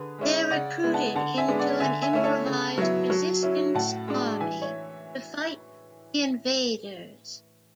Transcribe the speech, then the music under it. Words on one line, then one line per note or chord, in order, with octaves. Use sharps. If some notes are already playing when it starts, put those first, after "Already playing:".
They are recruited into an improvised resistance army to fight the invaders.
Already playing: D3 G#4 B4
G#3 C#4 E4
C#3 D5 F#5
G#3 B3 E4
F#5 A5
D3 F#5 A5
E5 G#5
G#3 B3 D4
D5 F#5
D3 E5 G#5
E5 G#5
A3 C#4 E4
A4 C#5
C#3
F#3 B3 E4
F#3
C#4 E4
A2 F#5 A5
G#3 D4
E3 E5 G#5
C#5 E5